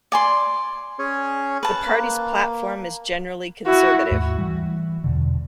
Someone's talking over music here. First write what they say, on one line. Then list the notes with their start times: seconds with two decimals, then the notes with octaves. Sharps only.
The Party's platform is generally conservative.
0.12 D5 G#5 C6
0.99 C#4 G#4 C#5
1.63 B4 A5
1.86 A#3
3.67 E4 F#4
4.11 D#2 G#2 A3
4.39 E3 G3
5.04 E2 B2 D3